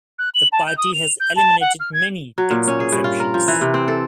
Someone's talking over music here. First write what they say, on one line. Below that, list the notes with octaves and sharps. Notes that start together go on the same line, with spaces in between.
The party has eliminated many tax exemptions.
F#6
F#7
A5
G6
D#6
F7
G6
A5
F#5
F6
G#6
F#3
A#2
C#4
G#4
G2
F4
A#4
F3
E3
C3
C4
A4